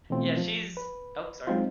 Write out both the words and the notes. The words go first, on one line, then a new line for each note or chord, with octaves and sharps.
Yeah, she's ope, sorry.
B2 E3 A3 C4 F4
F3
B4
F#3 G#3 C4 D#4 F4